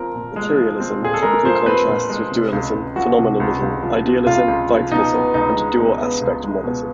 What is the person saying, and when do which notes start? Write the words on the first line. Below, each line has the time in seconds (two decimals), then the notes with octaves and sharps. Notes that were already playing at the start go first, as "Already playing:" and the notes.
Materialism typically contrasts with dualism, phenomenalism, idealism, vitalism, and dual-aspect monism.
Already playing: F3 C4 A#4
0.15 A#2
0.36 G#3
0.58 F3
0.80 C4
1.02 A#2 G#4
1.14 A4
1.23 G#3 A#4
1.44 F3 C5
1.66 C4 B4
1.88 A#2
2.09 G#3
2.32 C3
2.53 C#2
2.74 C#2
2.96 F3 F#4
3.18 C3
3.40 C#2
3.62 C#2
3.83 F3
4.05 C3
4.26 C#2 F4
4.48 C#2
4.69 F3
4.91 B2 D#4
5.13 B3
5.34 C#2 D#4
5.57 G#3
5.77 B2
5.99 B3
6.22 C#2
6.43 G#3
6.64 B2